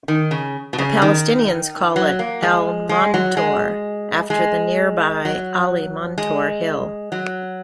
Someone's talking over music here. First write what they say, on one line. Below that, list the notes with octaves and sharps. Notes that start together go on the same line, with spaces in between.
The Palestinians call it "Al-Montar", after the nearby Ali Montar hill.
D#3
C#3
B2
C#3
D#3
F#3
A#3
G#3
G#3
F#3
G#3
G#3
F#3
G#3
F#3